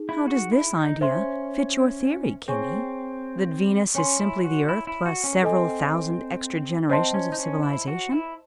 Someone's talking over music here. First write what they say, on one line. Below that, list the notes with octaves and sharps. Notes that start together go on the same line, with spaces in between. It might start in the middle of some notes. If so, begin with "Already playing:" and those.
"How does this idea fit your theory, Kinney--that Venus is simply the earth plus several thousand extra generations of civilization?"
Already playing: D#4 G#4
E4
F#4
E4
D#4
C#4 C5 E5 C6
C4 G#4 C#5 G#5 C#6
C#4 C#5 G#5 C6
E4
F#4
E4
E4
F#4
C#4
C4 A4 D#5 G#5
C4 C5 D#5 A5 C6
C#4
D#4
C#4
E4
F#4
E4